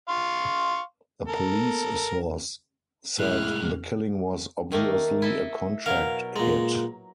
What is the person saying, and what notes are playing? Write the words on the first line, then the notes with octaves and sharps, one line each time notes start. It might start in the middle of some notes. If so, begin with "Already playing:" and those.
A police source said the killing was "obviously a contract hit."
F5 C6 C#6
A4 A#4
C2 A2 G#3 E4 F6 F#6
D#3 A3 A#3
E4 A4 D#5
B2 F#3 A#4 F5
A#2 G#3 A#5